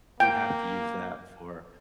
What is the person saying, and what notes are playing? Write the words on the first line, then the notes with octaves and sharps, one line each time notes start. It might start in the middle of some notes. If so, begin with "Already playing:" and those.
we have to use that for,
A#3 G5